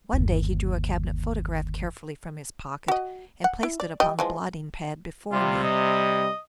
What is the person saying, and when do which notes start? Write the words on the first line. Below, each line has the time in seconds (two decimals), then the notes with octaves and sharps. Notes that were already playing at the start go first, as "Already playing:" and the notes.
One day he drew a cabinet photograph carefully from his pocket, and placed it upon the blotting-pad before me.
0.13 G1 D#2
2.88 F#4 D#5
3.44 F#5
3.63 E4
3.80 D5
4.00 G3 D#5 G5
4.19 E3 F3 G#3
5.32 C3 G3 F4
5.64 D#5